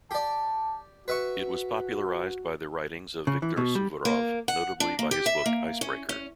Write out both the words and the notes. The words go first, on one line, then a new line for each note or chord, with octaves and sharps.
It was popularised by the writings of Viktor Suvorov, notably by his book "Icebreaker".
G4 D5 A5
F#4 B4 E5 C#6
C#3
E3
B2
G3
A#3
F#5
D4
A#3
G4
E5
A#3
C#4
C#4